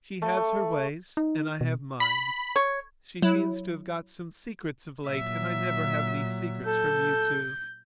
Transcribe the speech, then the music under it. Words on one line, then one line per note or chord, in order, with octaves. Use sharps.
She has her ways and I have mine; she seems to have got some secrets of late and I never have any secrets from you two.
A3
A3
D#4
B2
B5
C#5
F#3 E4
A#2 F#3 E5
A4 G6